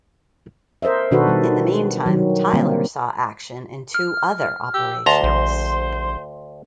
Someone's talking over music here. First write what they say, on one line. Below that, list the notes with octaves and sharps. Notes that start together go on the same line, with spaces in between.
In the meantime, "Tyler" saw action in two other operations.
A#4 C5 D#5 E5
B2 D#3 D4 F#4 A4 B4
D#3 G3
D#3 F#3
D3 G3 A#3 C4
F6
G4 E6
D2 A5 A#5 C6
A#1 C5